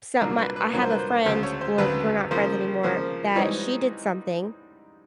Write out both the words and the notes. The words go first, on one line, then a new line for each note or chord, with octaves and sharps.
some my I have a friend, well, we're not friends anymore, that she did something.
C2 A#2 F#3 A#3 D4 A#4
B4
B4
C2 A#2 F#3 A#3 D4 C#5
C5
B4
C5
D2 C#3 F#3 C5
C#5
C5
D2 C#3 F#3 B4
C#3 F3 A#3 C5
C#3 F3 A#3
G#2 E3 G3 C4 D#4 C#5